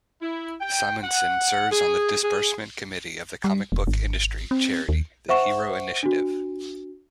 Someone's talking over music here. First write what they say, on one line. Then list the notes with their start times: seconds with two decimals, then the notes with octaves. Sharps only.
Simonson serves on the Disbursement Committee of the comic-book industry charity The Hero Initiative.
0.22 E4
0.61 G5
1.03 F#5
1.71 G#4
2.24 G#4
3.44 G3
3.72 E1
3.87 G#1
4.51 C4
4.89 D#2
5.29 C5 E5 F#5 C#6 E7
6.03 D4 F#4